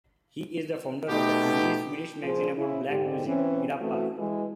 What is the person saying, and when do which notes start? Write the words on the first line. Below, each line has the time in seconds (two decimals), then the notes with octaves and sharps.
He is the founder of the "Only Swedish Magazine about Black Music", "Gidappa".
1.09 B2 A3 B3 D#4 G4
2.22 A#2 F3 G#4 C5
2.56 C#3 E4
2.88 G#2 D3 G4
3.26 E3 C4 C#4
3.80 E3 A3 C4 F#4
4.18 E3 G#3